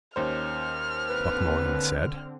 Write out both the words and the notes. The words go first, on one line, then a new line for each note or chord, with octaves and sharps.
Buck Mulligan said.
D#2 C#4 C5 F6
D3 C4 B4